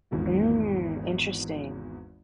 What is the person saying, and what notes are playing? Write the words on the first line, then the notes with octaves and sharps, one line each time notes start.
Mm, interesting.
G#1 E2 G#2 F4